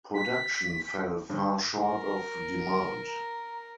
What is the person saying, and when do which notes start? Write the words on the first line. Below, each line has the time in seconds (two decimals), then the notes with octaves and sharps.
Production fell far short of demand.
0.14 B6
1.29 G2
1.84 A#4
3.02 A#5